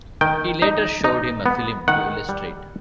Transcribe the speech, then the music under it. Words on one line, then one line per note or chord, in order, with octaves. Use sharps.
He later showed him a film to illustrate.
D#3 G5
D#4
D#4
B3
D#3 F#5
G3